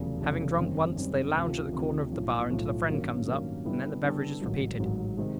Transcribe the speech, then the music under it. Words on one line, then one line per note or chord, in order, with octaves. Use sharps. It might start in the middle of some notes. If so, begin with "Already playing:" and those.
Having drunk once, they lounge at the corner of the bar until a friend comes up, and then the beverage is repeated.
Already playing: F1 E2 C#3 F#3 A3
F1 E2 C#3 F#3 A3
F#2 D#3 G3 C4
F#2 D#3 G3 C4
D2 C3 F3
D2 C3 F3
B1 A2 F3
B1 A2 F3
G2 D#3 F#3 A#3 C#4
G2 D#3 F#3 A#3 C#4
D3 G3 B3 E4 A4
D3 G3 B3 E4 A4
A1 G#2 D#3 F#3
A1 G#2 D#3 F#3
C3 D#3 G#3 C4